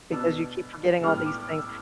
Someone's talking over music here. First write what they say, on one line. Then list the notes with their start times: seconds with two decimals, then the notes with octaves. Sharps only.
Because you keep forgetting all these things.
0.13 B2 B3 D4 E6
1.04 A2 G3 B3 D4 F6
1.26 D6
1.49 E6